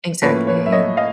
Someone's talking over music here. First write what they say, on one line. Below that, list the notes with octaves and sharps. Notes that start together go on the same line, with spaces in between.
Exactly, yeah,
A2 F3 A#3 C#4 B4 C#5
B4 C#5
E5
C#5 D#5
D#5 F5